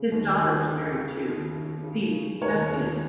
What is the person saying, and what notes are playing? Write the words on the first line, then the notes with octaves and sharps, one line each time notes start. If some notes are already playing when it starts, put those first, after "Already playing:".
His daughter was married to P. Sestius.
Already playing: C#3
D#2
D#2
C#3
C#3
D#2
D#2
C#3
C#3
D#2 A#4 C#5
D#2